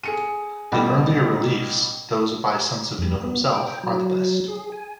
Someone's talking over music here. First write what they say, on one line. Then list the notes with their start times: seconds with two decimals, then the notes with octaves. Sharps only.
The earlier reliefs, those by Sansovino himself, are the best.
0.03 G#4 C#7 D#7
0.72 A1 B2 G3
2.99 F2
3.23 B3
3.50 G5
3.83 F#3
4.48 G#4
4.72 G#5